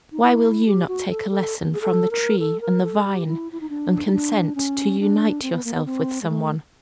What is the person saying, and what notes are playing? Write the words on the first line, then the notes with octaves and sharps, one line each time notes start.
Why will you not take a lesson from the tree and the vine, and consent to unite yourself with some one?
D#4
E4
G4
F#4
A4
A4
G#4
A4
A#4
A4
A#4
A4
G4
E4
E4
D#4
D4
D#4
D4
C#4
D4
C4
B3
A#3
B3
C4
G#3
A3